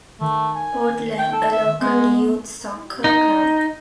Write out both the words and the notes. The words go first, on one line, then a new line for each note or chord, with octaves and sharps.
Portland, a local youth soccer club.
D#3 A3
G#5
G5
A4
E5
G#3 B3
D#4